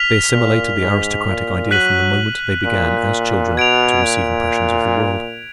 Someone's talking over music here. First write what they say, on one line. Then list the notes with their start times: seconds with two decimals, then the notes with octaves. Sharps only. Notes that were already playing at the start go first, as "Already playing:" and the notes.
They assimilated the aristocratic idea from the moment they began, as children, to receive impressions of the world.
Already playing: F6 B6 F7
0.33 A#2
0.79 G#2
1.26 A#2
1.71 F#3 F#6 B6 D#7 F#7
2.65 A#2
3.57 B2 G#6 D7 F7
4.03 A#2